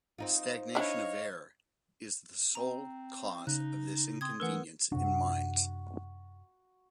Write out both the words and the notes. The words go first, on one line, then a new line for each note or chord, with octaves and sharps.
Stagnation of air is the sole cause of this inconvenience in mines.
C4 D#4 F4
D4 E4 C#5 D#5 F5
C4 A#5
C#3 D#4 F#6
C4 C6 D#6 G#6
E3 A3 C#4 A#4 B4 F#5 E6
F#2 C3 D4 F#4